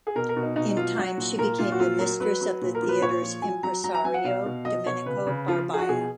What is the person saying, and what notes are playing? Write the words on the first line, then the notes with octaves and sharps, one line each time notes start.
In time she became the mistress of the theater's impresario, Domenico Barbaia.
G#4
B2 A#4
A#4
B2
D#4
B2 D#4
F#3 F4
F#3 F#4
A#2
A#2 A#4
A#2 F4
F#4
F#3 F4
F#3 A#4
F#3 B4
F#3
A#2
A#4
F3
B4
A#2 C#5
F3
F#3 G#5
F#3 A#5
F#3 A#5
A#5
F#3 G#5
F#5
B2 F5
B2
F#3 D#5
B2 C#5
C#3 B4
C#3
F3 F4
F3
G#4
F#4
B2 G#4